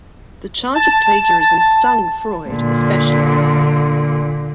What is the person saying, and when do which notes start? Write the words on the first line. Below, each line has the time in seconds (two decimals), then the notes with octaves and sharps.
The charge of plagiarism stung Freud especially.
0.75 A5
2.50 A#2 D3